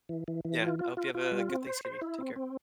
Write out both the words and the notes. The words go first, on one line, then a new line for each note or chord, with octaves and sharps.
Yeah, I hope you have a good Thanksgiving. Take care.
E3
E3
E3
F4
F4
F4
F4
G3
C4
C5
C5
E4
C4
C4